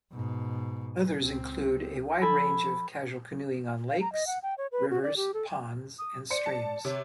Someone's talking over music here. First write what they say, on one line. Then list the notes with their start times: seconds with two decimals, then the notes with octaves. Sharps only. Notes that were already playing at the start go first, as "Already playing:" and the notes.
Others include a wide range of casual canoeing on lakes, rivers, ponds and streams.
0.13 G#2 B2
1.21 C#2 C4
2.22 F3 A4 G#5 B5
3.89 F5
4.01 A#5
4.13 D#5
4.27 F#5
4.43 G5
4.58 C#5
4.72 B4
4.90 F#4
5.03 D5
5.17 G4
5.34 A4
5.99 D#6
6.30 C5 D5 C#7
6.46 A5
6.85 C3 C#5